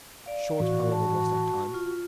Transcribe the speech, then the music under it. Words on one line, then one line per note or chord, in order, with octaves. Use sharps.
Short, however, was that time.
D5 F5
A2 E3 F#4
A5
F4